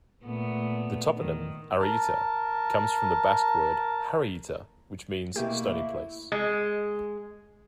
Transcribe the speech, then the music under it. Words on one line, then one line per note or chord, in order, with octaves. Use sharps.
The toponym "Arrieta" comes from the Basque word "harrieta", which means "stony place".
A#2 A3 B3
D#3
A#4 A5
B2 D#3 A3 A#3 E4 G4
G#3